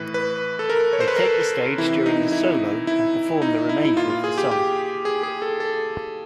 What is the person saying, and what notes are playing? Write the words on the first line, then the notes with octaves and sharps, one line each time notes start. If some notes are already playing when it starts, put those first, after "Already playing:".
They take the stage during the solo and perform the remainder of the song.
Already playing: A2 E3 B4
B4
A4
A#4
C#5
C5
B4
A#4
A4
C3 E3 E4
D#4
E4
E4
D#4
E4
E4
A#2 F4
F4
G#4
G4
G4
G#4
G#4
A4
A4